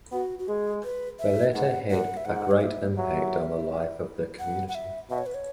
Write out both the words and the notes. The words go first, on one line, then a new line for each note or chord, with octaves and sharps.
The latter had a great impact on the life of the community.
B3 F#4
F#4
G#3 G#4
B4
E5
G#2 F#5
F#2 F#5
E5
G#2 F#5
C#5
E5
F#3 E5
F#5
F#5
E5
B2 E5
C#5
B4
C#5